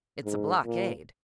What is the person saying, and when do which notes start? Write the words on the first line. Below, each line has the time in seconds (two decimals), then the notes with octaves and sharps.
"It's a blockade."
0.25 G#2
0.63 A#2